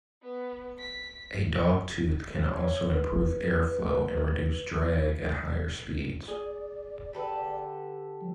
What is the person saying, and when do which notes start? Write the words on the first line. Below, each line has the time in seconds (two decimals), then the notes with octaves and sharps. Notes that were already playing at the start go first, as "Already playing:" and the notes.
A dog tooth can also improve airflow and reduce drag at higher speeds.
0.23 B3
0.79 B6
2.49 C#5
2.92 B4
6.28 G#4 D5
7.13 D3 G4 A4 B4
8.21 F3 G3